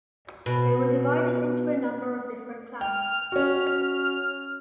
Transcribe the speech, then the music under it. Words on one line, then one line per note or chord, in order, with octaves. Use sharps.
They were divided into a number of different clans.
B2
G5 F6
C#4 F#4